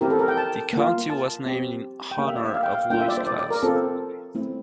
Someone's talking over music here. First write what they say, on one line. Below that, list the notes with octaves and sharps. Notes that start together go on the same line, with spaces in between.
The county was named in honor of Lewis Cass.
C4 E4 G4 A#4
A4
A#4
G5
A5
A#3 F4
A5
C4 G4
G5
A#3 D4 G4 F5
E5
D5
E5
F5
G5
F5
A#3 D4 F4 G5
E5
D5
C5
D5
D5
A#4
C4 F4 A4
A3 C4 E4